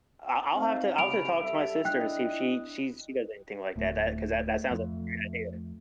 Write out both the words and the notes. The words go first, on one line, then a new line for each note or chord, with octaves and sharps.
I I'll have to I'll have to talk to my sister and see if she she she does anything like that, that 'cause that that sounds like a great
C4 D#4 F5
C2 C#3 B5 D7 F7
G3 A4 E5
D4 E4 D#5 G5 F#6
D1 A3
F2